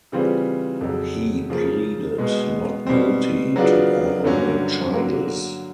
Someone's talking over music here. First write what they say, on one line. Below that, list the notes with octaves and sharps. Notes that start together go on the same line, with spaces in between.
He pleaded not guilty to all the charges.
C#3 E3 G3 C4 F4
F2 C#3 F#3
C#3 F3 A#3
B2 G#3 B3
B2 G3 C4
C#3 F#3 B3 D4 F4
G2 D3 F#3 A#3 C#4
D3 F#3 A#3